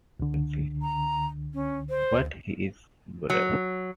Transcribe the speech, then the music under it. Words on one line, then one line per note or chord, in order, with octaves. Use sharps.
But he is brave.
C#2 D3
A#5
C#4
C5
D2
F#3